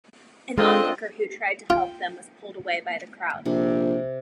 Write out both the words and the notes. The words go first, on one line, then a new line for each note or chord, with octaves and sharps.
An onlooker who tried to help them was pulled away by the crowd.
G#3 C4 D4 F4 A4 A#4 D#5
F4 G5
A#1 C3